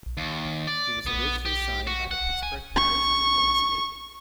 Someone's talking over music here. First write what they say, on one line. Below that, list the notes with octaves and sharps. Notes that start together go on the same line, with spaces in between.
He was originally signed by the Pittsburgh Pirates as a bonus baby.
D#2
D5
B3
G4
F#4
F#5
G#5
C#6